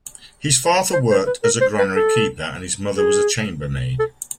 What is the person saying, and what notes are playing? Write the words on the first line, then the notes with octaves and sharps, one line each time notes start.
His father worked as a granary keeper and his mother was a chambermaid.
C5
C5
B4
A#4
C5
B4
A4
G#4
A4